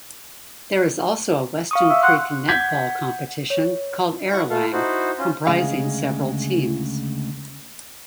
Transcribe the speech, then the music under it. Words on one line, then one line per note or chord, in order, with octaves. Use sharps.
There is also a Weston Creek netball competition, called Arawang, comprising several teams.
F5 C#6 D#6
E5
F#5 C6 C#6
F#5 G6 G#6 B6
C#5
E4 F#5 C#6
A3 A4 F5
D#4 E4 F#4 C5
C#4 F4
D2 C#3 G#3 G#4 F5